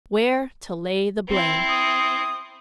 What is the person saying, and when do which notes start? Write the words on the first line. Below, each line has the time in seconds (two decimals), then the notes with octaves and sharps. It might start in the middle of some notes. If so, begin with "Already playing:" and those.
Where to Lay the Blame.
1.28 C4 E4
1.69 D#6